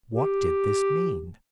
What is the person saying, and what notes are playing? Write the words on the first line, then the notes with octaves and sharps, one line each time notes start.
What did this mean?
G4